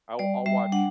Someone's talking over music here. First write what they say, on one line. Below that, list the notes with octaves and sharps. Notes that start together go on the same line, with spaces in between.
I'll I'll watch
G3 D5
G3 E5
D4 F#5